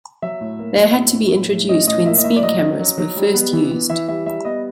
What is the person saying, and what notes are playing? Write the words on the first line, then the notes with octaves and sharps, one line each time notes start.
They had to be introduced when speed cameras were first used.
F#3 E5
A2
A#3
F#3
A2
A2
A2
A2
C#4 D#5
A2 D#5
A#3 E5
D#5
A2 E5
D5
F#3 D#5
C#4
F#3
F#3
G3
B3
E3
E3
E3 E5
G3 E5
G3 E5
B3 D#5